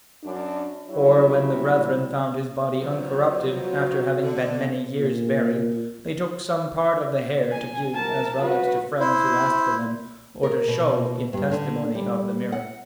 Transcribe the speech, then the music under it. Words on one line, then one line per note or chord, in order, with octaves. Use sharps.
For when the brethren found his body uncorrupted, after having been many years buried, they took some part of the hair, to give, as relics, to friends who asked for them, or to show, in testimony of the miracle.
F#2 D4
G2 F#3 G3 E4 C#5
B2 F3 F#3
F#4
D3
A#2
G#5
A#4 A5
F#4 B4
E4 C5
A#4
B2
G2
D3
G3
F#5